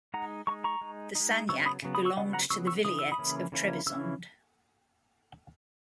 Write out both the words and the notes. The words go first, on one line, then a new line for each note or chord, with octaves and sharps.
The sanjak belonged to the vilayet of Trebizond.
G#3 D#4 F#5 A#5
G#3 D#4 A#5 C#6
A#5 C#6
G#3 D#4
G#3 D#4
C#3 F#3 B3 C#6 E6
B5 D#6
C#3 F#3 B3
B5 D#6
C#6 E6
C#3 F#3 B3 D#5 F#5
F#5 A#5
C#3 F#3 B3 C#6 E6
C#6 E6
C#3 E3 D#6
E6
B5 D#6
C#3 E3 A#3 C#4 E4
C#3 E3 A#3 C#4 E4
C#3 E3 C#4 E4 E6